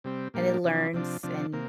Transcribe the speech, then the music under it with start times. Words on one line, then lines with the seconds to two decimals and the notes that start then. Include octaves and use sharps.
And it learns and,
0.04 C3 G3 C4
0.34 A#2 G3 A#3 D4
0.64 C3 F3 D4
0.93 C3 F3 D4
1.23 C3 F3 D4
1.53 C3 A#3